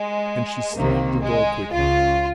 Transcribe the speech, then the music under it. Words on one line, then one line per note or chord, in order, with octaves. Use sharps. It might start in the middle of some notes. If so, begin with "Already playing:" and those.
And she slammed the door quickly.
Already playing: G#3
C2 C3 D#3 A#3
G#3
C#2 C#3 F4